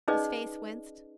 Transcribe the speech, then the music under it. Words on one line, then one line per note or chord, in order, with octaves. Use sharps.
His face winced.
C#4 D#4 G#4 B4 D5 D#5